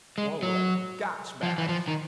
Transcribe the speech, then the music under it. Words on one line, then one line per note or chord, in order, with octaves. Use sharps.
Swollen gas-bags!
G#3
F#3
F3
E3
F3
D#3